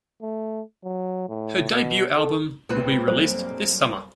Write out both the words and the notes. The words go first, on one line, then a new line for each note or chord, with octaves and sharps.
Her debut album will be released this summer.
A3
F#3
A2
B2
A4
C#2 A#2 C4 B4
B1 G2 A#3 C5